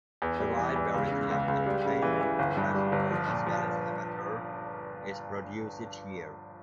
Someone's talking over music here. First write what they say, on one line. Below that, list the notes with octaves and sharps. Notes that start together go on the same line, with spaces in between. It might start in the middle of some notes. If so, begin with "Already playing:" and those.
A wide variety of entertainment, professional as well as amateur, is produced each year.
E2
G3
E3
E2
C#2
C#3
C#2
C#2
G3
C#3
E3
E3
G1
G2
G3
G1
F3
A#2
F3